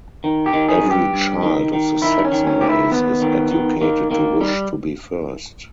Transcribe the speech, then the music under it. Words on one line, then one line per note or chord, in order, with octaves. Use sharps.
Every child of the Saxon race is educated to wish to be first.
D#3
G4
D#3
G#4
G2
G4
G2
D#3
D#3
D#3 E4
C#4
D#3
C#4
D#2 G4
E4
D#2 B3
D#3
D#3
D#3 A#3
D#3 A#3
G3